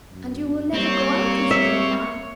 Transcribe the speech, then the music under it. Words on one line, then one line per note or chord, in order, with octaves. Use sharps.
"And you will never go out with me, mamma?"
F#2
G3 A#3 C4 C#5
E5